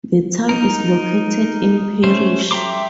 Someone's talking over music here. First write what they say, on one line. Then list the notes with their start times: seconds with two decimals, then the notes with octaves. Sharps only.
The town is located in Parish.
0.49 D#4 A#4
2.04 A3 C#4 C5
2.51 E5 G5 A#5 C6 D6